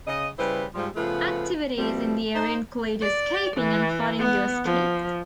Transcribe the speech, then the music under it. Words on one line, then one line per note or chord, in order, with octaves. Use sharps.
Activities in the area include escaping and plotting your escape.
C#3 D#5
C#3 G3 E4 G4 B4 C5
G#2 F3 G3
C#3 F3 A3 B3 F4 B4
B2 F3 G3 A3 C4
D#4 C5
D5
E3
B3
F3